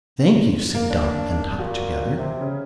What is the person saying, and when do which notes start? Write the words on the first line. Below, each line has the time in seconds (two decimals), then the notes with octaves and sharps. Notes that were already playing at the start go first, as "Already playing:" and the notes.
"Thank you," said Dot and Tot together.
0.74 A#3
0.90 D4
1.59 A#2 F#4
2.18 C3
2.41 C#3